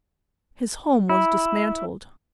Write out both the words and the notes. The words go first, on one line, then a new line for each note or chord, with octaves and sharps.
His home was dismantled.
E4